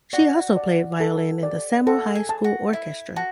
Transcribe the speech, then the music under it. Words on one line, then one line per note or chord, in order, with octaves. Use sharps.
She also played violin in the Samohi school orchestra.
F#4 D5
D5
A4
D5
F#4 A4
G#4
A5
F#4
E4 E5
F#4 A5